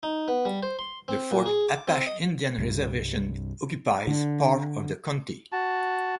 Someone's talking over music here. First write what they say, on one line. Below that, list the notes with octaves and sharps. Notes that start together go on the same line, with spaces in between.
The Fort Apache Indian Reservation occupies part of the county.
D#4
B3
G3
C5
C6
C4
A#2
G#4
D6
C4
D#5
C2 G2 G3
D3
F#4 A5